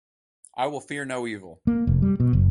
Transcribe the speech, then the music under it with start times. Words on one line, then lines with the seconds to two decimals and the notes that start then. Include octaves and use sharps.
I will fear no evil.
1.67 A#3
1.87 F1
2.02 G3
2.20 B2
2.33 F#1